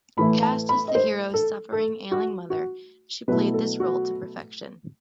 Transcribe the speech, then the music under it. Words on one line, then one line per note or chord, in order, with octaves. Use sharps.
Cast as the hero's suffering, ailing mother, she played this role to perfection.
A2 E3 A3 E4 B5
A5
B5
D#5
C5
A4
A4
F#4
F#4
B2 F#3 A3 E4 B4
A4
F#4